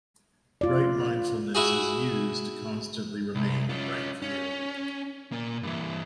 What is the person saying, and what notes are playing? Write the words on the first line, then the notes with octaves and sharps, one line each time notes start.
Right mindfulness is used to constantly remain in right view.
F4 D5
E4 F#4 G#4
C2
C#4 F4
C#4
A#2 A#3
G2 E3